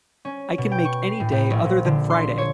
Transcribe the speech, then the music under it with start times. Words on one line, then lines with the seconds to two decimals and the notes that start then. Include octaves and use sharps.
I can make any day other than Friday.
0.25 C#4
0.58 B2
0.72 G5
0.85 C#6
1.02 C7
1.20 A2
1.32 A2
1.50 A#1
1.66 A#2
1.85 D3
2.10 C6
2.38 C#5